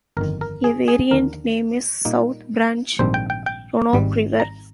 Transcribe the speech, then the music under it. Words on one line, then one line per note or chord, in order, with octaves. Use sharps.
A variant name is "South Branch Roanoke River".
G1 F2 D#3 A#4
A#4
G#4
G#4
D#2 D3 F3 A#3 D4 A#4
A#2 G3 A#3 D#4
A#1 G#2 D#3 G3 C4 C5
G5
G5
G5
G#1 G#2 G3
A#5